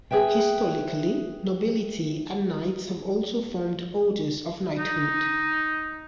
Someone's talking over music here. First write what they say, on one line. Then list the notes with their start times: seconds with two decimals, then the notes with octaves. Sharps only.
Historically, nobility and knights have also formed Orders of Knighthood.
0.11 G#4 B4 E5 G5
4.78 D#4